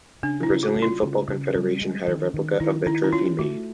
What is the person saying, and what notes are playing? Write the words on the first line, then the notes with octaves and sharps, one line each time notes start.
The Brazilian Football Confederation had a replica of the trophy made.
C#3 D4
E4
C#3
F#4
G3
F4
C#3
C#3
G3
G#3
D#3
D#3
D#3 E4
D#3 E4
E4
C#4 F4
A3 F#4